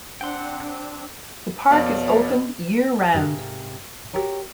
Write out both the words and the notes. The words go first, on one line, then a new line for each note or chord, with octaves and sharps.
The park is open year-round.
C4 D4 F#5 G5 C6
F2 B2 C#5 D5 F5
G#2 C3 A4 A#4 F5
F#4 G4 A#4 C#5